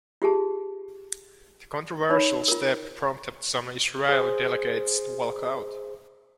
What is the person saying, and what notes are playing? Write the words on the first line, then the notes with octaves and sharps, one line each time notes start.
The controversial step prompted some Israeli delegates to walk out.
F4 G4 G#4 A5
D#4 C#5 B5
F4 A#4
G#4 C5